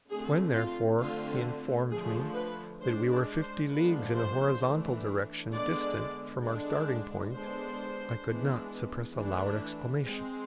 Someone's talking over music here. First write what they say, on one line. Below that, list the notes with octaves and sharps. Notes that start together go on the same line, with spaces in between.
When, therefore, he informed me that we were fifty leagues in a horizontal direction distant from our starting point, I could not suppress a loud exclamation.
D3 A3 C4 G#4
F4
D3 A3 C4 F4
D3 F3 A3 G#4
B4
G#3 D4 C5
D5
C5
D3 F3 G#3 B3 D4 B4
C5
E3 A3 D4
D3 G#3 B3 D5
D3 G#3 D4
D3 G#3 B3 D4 C5
E3 G#3 B3 D4
E3 A3 D4
G#3 C4